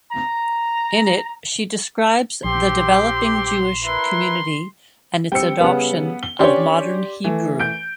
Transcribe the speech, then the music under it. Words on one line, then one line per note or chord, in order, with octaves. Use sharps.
In it she describes the developing Jewish community and its adoption of modern Hebrew.
A#5
A#1 C4 G4 C6
E4 A#4 B4 C6
G3 C4 G5 E6 C#7
C#3 G3 B3 F#5
G7
C#4 D4 G4 C#5 D5 C6
E3 A3
G6 D7